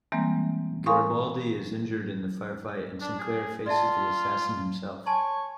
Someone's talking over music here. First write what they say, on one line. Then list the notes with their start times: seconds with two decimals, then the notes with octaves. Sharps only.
Garibaldi is injured in the firefight and Sinclair faces the assassin himself.
0.12 E3 G3 G#3 A#3 C4
0.86 A#4 F5 G#5 C6 C#6 D#6
3.01 D4
3.19 G#4
3.66 F4 D5 E5 A5
5.06 C#5 G#5 A5 C6